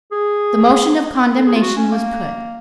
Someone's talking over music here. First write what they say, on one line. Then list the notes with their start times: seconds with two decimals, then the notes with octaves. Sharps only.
The motion of condemnation was put.
0.12 G#4
1.36 A4
1.46 G#4
1.55 F4
1.62 F#4
1.76 C#4
1.91 A#3